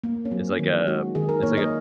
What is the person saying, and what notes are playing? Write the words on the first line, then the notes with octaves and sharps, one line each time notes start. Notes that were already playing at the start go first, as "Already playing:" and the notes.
it's like a it's like a
A#3
C#4
F#3 C4
D#3 C#4
G#3 F#4
D#3 G#4
A#4
A#3 C#5
D#5